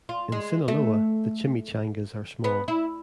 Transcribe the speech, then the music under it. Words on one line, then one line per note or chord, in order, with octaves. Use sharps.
In Sinaloa, the chimichangas are small.
F4
G#3
A3
B3
E4